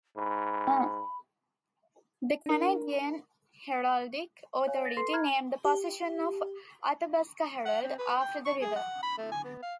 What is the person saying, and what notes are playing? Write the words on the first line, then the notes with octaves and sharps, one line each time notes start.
The Canadian Heraldic Authority named the position of Athabaska Herald after the river.
G#2 B5
D4 A#4
C#5 F5 G#5
A6 A#6
A4 B4 C6 C7
A#5 B5 F6 G#6
G4
F#5
C4
B4
G5
C#6
G#4
F#5
B5
A3
G#5
B3
F5